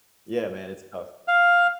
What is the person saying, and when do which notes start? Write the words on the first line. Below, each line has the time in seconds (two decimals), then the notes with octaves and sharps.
yeah, man, it's tough.
1.28 F5